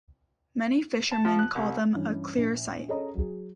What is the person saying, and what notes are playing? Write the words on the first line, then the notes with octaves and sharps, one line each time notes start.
Many fishermen call them a "clear sight".
A5
F3
F#6
C2
G2 E3 C#4
A#1
C#4 G#4 A4 C#5 D#5 A#5
F#3 G#4